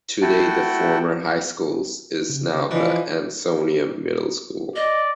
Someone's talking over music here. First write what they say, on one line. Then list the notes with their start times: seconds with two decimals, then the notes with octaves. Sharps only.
Today the former high school is now the Ansonia Middle School.
0.22 A3 E4 F#4 F#5 G5 A5
2.30 C#3
2.71 E3 F3 D4 D#4
4.76 D5 D#5